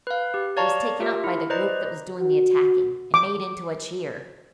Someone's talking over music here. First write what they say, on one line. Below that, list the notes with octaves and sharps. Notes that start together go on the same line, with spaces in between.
It was taken up by the group that was doing the attacking, and made into a cheer.
B4 F5
G4
C#5 D5 F5 A5 A#5 C#6
F4 G4 A#4 E5
E4
B4 C5 D5 D#5 A#5
F#4
D6